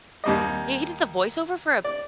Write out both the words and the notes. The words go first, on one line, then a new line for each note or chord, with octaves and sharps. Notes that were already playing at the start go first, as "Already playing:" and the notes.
He he did the voiceover for a
D#2 G3 D#5
D5